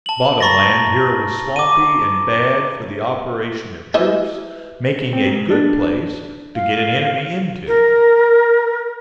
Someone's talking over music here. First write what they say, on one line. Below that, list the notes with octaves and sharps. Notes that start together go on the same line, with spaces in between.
The bottom land here was swampy and bad for the operations of troops, making a good place to get an enemy into.
A5 F#7
A#5 B5 C#6 A6 A#6
D6 D#7
E3 C5 D#5
C4
G#2
D4
F5
A#4